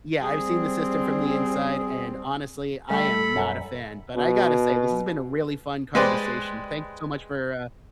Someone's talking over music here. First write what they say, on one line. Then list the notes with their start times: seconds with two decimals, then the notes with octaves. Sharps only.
Yeah, I've seen the system from the inside, and honestly, I am not a fan, but I gotta say this has been a really fun conversation. Thanks so much for, uh
0.23 G3 C4 G#4
2.90 G3 A3 G4 A4 G5 B5
3.36 F#2
4.16 B2
5.95 G#3 G4 B4 C5 D5